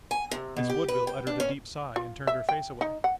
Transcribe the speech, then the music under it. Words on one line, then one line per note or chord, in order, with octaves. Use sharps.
Miss Woodville uttered a deep sigh and turned her face away.
G#5
C3
B2
G4
B4
G5
D4
C#4
F4
E5
G5
D#4
F#5